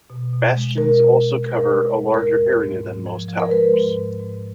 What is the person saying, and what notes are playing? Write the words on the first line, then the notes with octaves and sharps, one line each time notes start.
Bastions also cover a larger area than most towers.
B2
B2
G#3
B2 A#4
B2
B2
G#3 A#4
G#3
G#3
G#2 A#4
G#3
G#2
G#2
F3
F3
A#4
G#3 B4
G#2
G#2
G#2